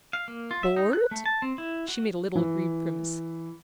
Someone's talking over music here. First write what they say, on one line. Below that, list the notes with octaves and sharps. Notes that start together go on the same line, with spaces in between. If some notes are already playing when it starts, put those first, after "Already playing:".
"BORED?" She made a little aggrieved grimace.
F5
A#3
F4
E5
D#4
F#6
A3
A5
C4
E4
F#4
E3